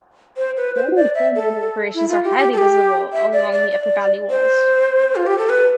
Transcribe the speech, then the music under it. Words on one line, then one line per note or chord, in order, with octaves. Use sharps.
Modern coal mining operations are highly visible along the upper valley walls.
C5
B4
C5
D5
E5
A4
E4
F4
G4
G4
A4
G4
E5
D5
D5
D5
C5
F4
G4
A4
B4